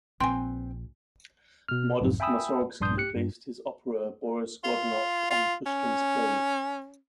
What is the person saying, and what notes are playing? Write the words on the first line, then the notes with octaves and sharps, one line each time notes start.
Modest Mussorgsky based his opera "Boris Godunov" on Pushkin's play.
A#1 C4 B4 G5 G#5 C6
B2 F6
B1 F2 G#2
E5 G5 G#5 B5 D#6 E6
A#1 G2 D4 C6 D#6 G6
G4 F#6 C#7
G2
F4
F4
C#4